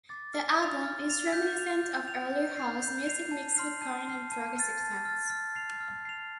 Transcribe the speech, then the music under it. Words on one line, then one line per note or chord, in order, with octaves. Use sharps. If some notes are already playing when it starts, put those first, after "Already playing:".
The album is reminiscent of earlier house music mixed with current and progressive sounds.
D6 A6
F6
A6 F7
F6
A6 F7
G6
F7
G6
F7
G6
C7 F7
G6
C7 F7
A5
C6 F6 C7
A5
C6 F6 C7
A5
F6 A6
A5
F6 A6
F6
C7 F7
F6
C7 F7